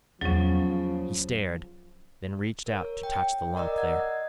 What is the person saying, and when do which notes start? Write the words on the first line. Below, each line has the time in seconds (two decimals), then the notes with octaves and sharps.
He stared, then reached out to touch the lump there.
0.21 E2 C#3 F3 F#3 A#3 C#4
2.66 A#4 C#5
3.03 G5
3.56 A#4 D5 D#5 A#5 E6
3.78 F#5 G#6
3.96 D#5